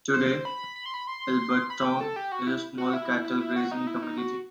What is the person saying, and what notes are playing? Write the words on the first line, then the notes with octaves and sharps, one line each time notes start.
Today, Alberton is a small cattle grazing community.
C5
B5
B5
C6
B5
C6
B5
G5
A4
G4
F#4
E4
F#4
E4
E4
F#4
D#4
E4
D#4
F#4